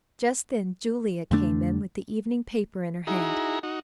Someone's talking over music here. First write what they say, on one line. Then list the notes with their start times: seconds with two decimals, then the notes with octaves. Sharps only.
Just then Julia came in with the evening paper in her hand.
1.31 F2 D3 A3 D4
3.07 D#4 E4 F#4 G#4 A#5
3.63 D#4 F#4